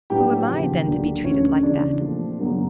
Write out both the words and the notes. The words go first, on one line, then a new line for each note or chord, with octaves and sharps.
Who am I, then, to be treated like that?
A2 F#3 B3 D4 G4 G5
D#2 C#3 F3
D2 D3 F#3 A#3 D4
D2 D3 F3 A3 C#4 C#5
E2 C#3 E3 D4 D5
A#2 F3 A3 C4
F#2 C#3 F#3 A#3 D4